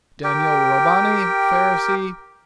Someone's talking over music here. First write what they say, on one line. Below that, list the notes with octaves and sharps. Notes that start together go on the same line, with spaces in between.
Daniel Robani, Pharisee.
G4 A#4 G5